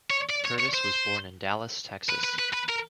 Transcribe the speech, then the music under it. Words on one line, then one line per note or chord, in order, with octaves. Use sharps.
Curtis was born in Dallas, Texas.
C#5
D5
C#5
C#5
C5
B4
B4
B4
B4
A#4